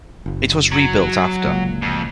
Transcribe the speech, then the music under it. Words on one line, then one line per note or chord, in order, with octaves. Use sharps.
It was rebuilt after.
F#1
F#3
F1 C#2 A#2
F2